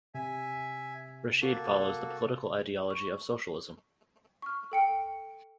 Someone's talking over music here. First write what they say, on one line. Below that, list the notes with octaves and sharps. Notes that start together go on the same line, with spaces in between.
Rashid follows the political ideology of socialism.
C3 E5 G#5
A#3 F#4 A4
C#6
C#6 F6
A4 G5 C#7